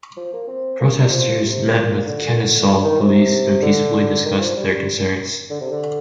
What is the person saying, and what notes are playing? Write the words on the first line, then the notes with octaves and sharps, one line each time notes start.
Protesters met with Kennesaw Police and peacefully discussed their concerns.
F3
A#3
C4
A#3
G3
F3
C3
A#2
D3
D#3
C3
D3
D#3
F3
G3
D3
C3
D3